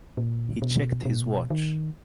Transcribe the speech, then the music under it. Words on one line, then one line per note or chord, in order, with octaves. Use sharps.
He checked his watch.
A#2
B2
B2
A#2
B2
D#3